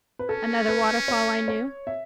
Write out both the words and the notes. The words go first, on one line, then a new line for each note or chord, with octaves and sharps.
"Another waterfall I knew."
B4
C#4 A4
B4
C#5
C#5
E5